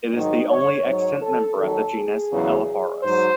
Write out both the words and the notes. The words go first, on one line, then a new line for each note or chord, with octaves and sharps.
It is the only extant member of the genus "Elaphurus".
G#2 D#3 F#3 D#4
C#5
G#2 F#3 C#5
A4
D#2 D#3 F#3 A4
G#4
E2 C#3 F#3
G#2 F#3 C5